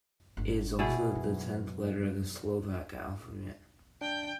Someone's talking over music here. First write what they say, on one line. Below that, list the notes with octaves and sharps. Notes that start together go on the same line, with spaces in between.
It is also the tenth letter of the Slovak alphabet.
G1 D4
B2 E4 G#4
F#2
D4 G5